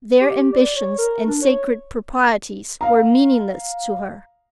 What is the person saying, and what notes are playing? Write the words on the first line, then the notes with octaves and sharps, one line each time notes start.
Their ambitions and sacred proprieties were meaningless to her.
G4
D5
C#5
A#4
D4
C#5
F5 A#5